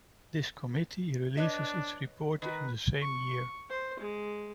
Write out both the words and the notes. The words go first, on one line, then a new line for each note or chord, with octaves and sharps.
This Committee released its report in the same year.
D4 B4 C#5 D#5
D#3 A#4 B4
C#6
C5
G#3